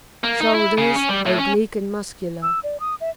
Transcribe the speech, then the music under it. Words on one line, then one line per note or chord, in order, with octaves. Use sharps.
SHOULDERS--Oblique and muscular.
A#3
D#4
E4
C#3
C#4
G3
A2
C#4
E6
D5
D#6
E5